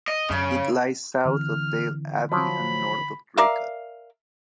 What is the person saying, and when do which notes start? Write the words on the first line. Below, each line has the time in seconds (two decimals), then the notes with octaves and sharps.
It lies south of Dale Abbey and north of Draycott.
0.08 D#5
0.30 F#2 C#3
1.25 D3 E3 C4 F6
2.32 F3 F#3 B5
3.37 A#4 D5 E5 F5